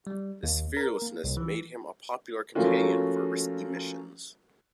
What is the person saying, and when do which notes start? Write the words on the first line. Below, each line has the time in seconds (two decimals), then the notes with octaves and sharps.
This fearlessness made him a popular companion for risky missions.
0.07 G3
0.43 D#2
0.77 A#4
1.02 A#3
1.24 C2
1.37 E3
2.55 F3 A3 A#3 C#4 F4 F#4